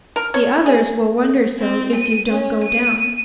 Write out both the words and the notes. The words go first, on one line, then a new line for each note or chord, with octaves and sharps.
The others will wonder so if you don't go down.
A#4
C#5
G#4
C4
D#7
C#4
D#7